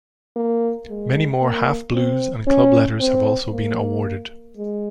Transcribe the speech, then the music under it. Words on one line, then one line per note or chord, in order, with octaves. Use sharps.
Many more half blues and club letters have also been awarded.
A#3
G#3
A#3
C4
C#4
C4
A#3
G#3